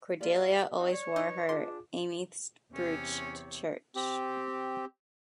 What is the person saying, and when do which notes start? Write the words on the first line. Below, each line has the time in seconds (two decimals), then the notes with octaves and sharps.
Cordelia always wore her amethyst brooch to church.
0.21 A#3 F4 G4 D5
0.78 C4 D#4 F#4
0.91 C#5 D5
1.16 D#4 B4 D#5
1.49 D4 F4 G#4 C6 D6
2.74 E2 C3 C#4 C#5
3.96 C4 G4